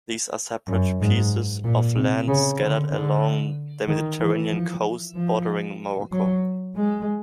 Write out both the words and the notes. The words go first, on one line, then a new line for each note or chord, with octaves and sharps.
These are separate pieces of land scattered along the Mediterranean coast bordering Morocco.
F#2
G#2
A#2
C3
C#3
D3
D3
D#3
E3
F3
F3
F#3
G#3